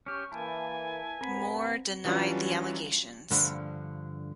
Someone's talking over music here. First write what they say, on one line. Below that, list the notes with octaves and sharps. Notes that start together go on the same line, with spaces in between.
Moore denied the allegations.
C#4 G4 C#6 F6
E3 A#3 E4 G#5 A5
G2 B3 C4 A#4 B5
E3 F#3 G3 C#4 D4 F4
G2 D3 F3